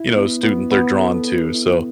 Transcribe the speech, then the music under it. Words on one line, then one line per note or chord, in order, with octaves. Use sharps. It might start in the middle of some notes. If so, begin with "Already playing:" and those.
you know, student they're drawn to, so,
Already playing: E4
B3
B3
B3
A4
B3
E4